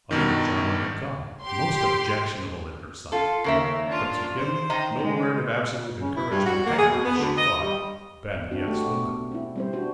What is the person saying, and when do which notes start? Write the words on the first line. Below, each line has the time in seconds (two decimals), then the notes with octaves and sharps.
Another charmer had come, most objectionable in her sight, but to him no word of absolute encouragement had, as she thought, been yet spoken.
0.11 G2 B2 D#3
1.44 G4 C6
3.12 F4 A4
3.44 D#2 C#3 A#4 E5
3.87 D4 F4
4.37 C5
4.70 D#3 D#5 A#5
5.02 G#3
6.00 C#3
6.14 E4
6.31 G2
6.45 F#4
6.65 A#3
6.78 G#4
6.91 B2
7.05 B3
7.18 D2
7.37 D#5
7.60 G3
8.51 C4 D4 F#4
8.68 A3 F#4 G4
8.87 B2
9.32 C4 E4
9.56 G3 C4 C5
9.73 D4 F#4 C5